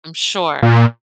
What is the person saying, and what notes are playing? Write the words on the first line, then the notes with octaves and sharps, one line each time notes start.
I'm sure.
A#2